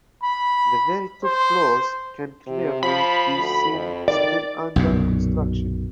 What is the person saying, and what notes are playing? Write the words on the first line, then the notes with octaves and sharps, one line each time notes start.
The very top floors can clearly be seen still under construction.
B5
C5
C3
F3 B5
D2
F2
D#3 D5
B1 F#2 A#2